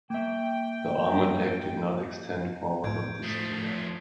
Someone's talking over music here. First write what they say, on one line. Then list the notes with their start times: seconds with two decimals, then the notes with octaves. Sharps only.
The armor deck did not extend forward of the citadel.
0.10 A#3 E5 G5
2.84 A2 G6 G#6 D7
3.23 F3 A3 D#6 C7